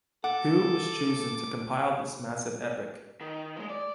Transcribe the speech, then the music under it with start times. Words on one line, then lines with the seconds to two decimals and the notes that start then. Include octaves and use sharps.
Hu was chosen to compile this massive epic.
0.24 A4 F#5 D6
3.21 D#3
3.56 F3 G#3
3.70 D5